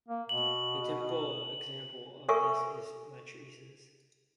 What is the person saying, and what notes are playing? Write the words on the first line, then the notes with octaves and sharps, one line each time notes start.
The typical example of this is matrices.
A#3
B2 F#7
A4 A#4 E5 G#5 C#6